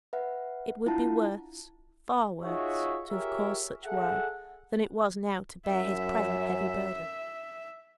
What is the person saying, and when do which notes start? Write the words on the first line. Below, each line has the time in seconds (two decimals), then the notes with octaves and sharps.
It would be worse, far worse, to have caused such woe, than it was now to bear his present heavy burden.
0.13 B4 E5 F#5
0.86 D4 E4 F4 F#5 A5
2.42 D#4 F4 F#4 G#4 C#5 E5
3.10 F4 G4 G#4 A#4 C#5 E5
3.85 G#4 A4 E5 F#5
5.67 F#2 E5